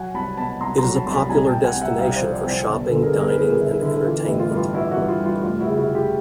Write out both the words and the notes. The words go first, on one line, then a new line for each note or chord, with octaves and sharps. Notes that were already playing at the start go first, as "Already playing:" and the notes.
It is a popular destination for shopping, dining and entertainment.
Already playing: F#3 F#5 G#5
C2 A5 B5
B2 A5 B5
C2 A#5 C6
A#5 C6
F#3
A5 B5
C2 C6
A5 B5
C2 G#5 A#5
G5 A5
C2
F#5 G#5
C2
E5 F#5
C2 F5 G5
C5 D5
F3
C5 D5
C2
C5 D5
G1
A4 B4
D3
G#4 A#4
G1
G#4 A#4
B4
G1 G#4 A#4
D3 E4
D3 E4
E3 F4
E4
A1
F4
G2
F4
E3 E4 F#4
E4 F#4
G2
F4
G3
F4
F1 F4
E4 F#4
C#3
E4 F#4
C#3
F4 G4